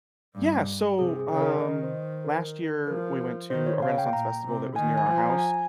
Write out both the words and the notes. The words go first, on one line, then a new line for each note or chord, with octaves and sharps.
Yeah, so, um, last year, we went to a Renaissance Festival that was near our house,
G2
C3 G#4
G#4
C#3
A#4
D#3 D#5
C5
C5
A#4
F3 A#4
D#3 C5
C#5
C#3 F5
G5
A#2 A#5
C3
D#3 G#5
G#5
F3
A#5
G#5